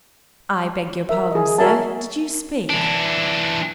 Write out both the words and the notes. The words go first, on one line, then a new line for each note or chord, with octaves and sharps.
I beg your pardon, sir, did you speak?
A#4 E5
G#4 D#5
F#4 A#4 E5 G#5 A5
E3 D4